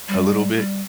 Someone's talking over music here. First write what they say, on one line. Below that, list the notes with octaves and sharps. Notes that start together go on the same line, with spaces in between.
a little bit,
G3
G3